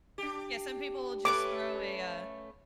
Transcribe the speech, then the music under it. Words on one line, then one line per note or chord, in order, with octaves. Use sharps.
Yeah, some people just throw a, uh,
D4 G4
A3 C#4 B4 D6